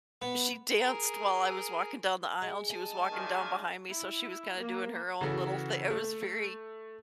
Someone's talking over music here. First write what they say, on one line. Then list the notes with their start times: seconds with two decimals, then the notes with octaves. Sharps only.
she danced while I was walking down the aisle, and she was walking down behind me, so she was kind of doing her own little thi it was very
0.22 B3
0.79 G#4 A#4
2.42 G#3
2.71 G#4 G#5 A5
3.12 F#2 A#2 D#3
3.89 E4
4.57 A#3
5.21 C#3 E3 F#4 A4
5.90 A3